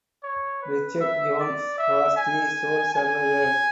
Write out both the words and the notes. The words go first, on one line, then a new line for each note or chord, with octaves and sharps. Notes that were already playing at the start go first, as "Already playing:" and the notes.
Richard Jones was the sole survivor.
C#5
B4
E5
D5
E5
G#5
G#5